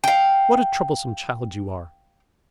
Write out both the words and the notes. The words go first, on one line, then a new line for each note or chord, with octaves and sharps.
What a troublesome child you are!
F5 G5